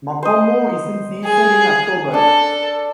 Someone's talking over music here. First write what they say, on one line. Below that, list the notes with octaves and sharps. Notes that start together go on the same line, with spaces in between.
Makomo is in season in October.
C5 D#5
G#4
D4 A4